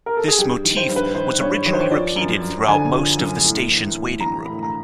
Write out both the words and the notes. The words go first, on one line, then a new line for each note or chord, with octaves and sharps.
This motif was originally repeated throughout most of the station's waiting room.
A#4
A4
G#4
G2 G4
D#3
C5
G2
B4
D#3 C5
G2 C#5
D#3 C#5
C5
C#5
F3 D5
F#2
F#2
D3 G#5
F3
F#2
A2
E3
A2
E3 A#5
A2 B5
A#5